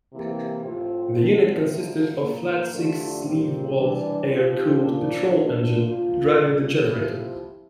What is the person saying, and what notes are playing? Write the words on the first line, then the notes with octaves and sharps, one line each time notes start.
The unit consisted of a flat-six sleeve-valve air-cooled petrol engine driving the generator.
C3 E3 A#3 E4 G4
A2 F3 C4 F4
D3 A3 C4
D3 F3 A#3 E4 G4
A2 F3 A#3
D3 F3 A3 D4 G4
A#2 G3 C4 G4
E3 G3 D4 G4
F3 C4 G4
A#2 F3 A#3 D4
D3 A3 D4
F3 A#3 F4
A#2 G3 D4 F4
F3 C4 E4 G4